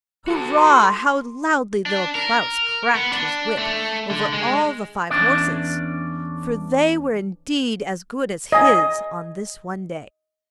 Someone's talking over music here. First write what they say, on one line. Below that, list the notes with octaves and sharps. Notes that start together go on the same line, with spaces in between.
Hurrah! how loudly Little Klaus cracked his whip over all the five horses! for they were indeed as good as his on this one day.
F#4 A4
C6
D4
A#4
B3
D4
A3
D3
G#3
E2 C#4 D4 D5
D#5 G#5